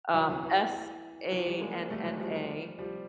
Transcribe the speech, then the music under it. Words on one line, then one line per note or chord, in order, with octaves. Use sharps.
um, S-A-N-N-A
E3 F#3
E3 F#3
E3
E3 F#3
F3 G3
G#3 A#3
G3 A3
F#3 G#3
F3 G3
F3 G3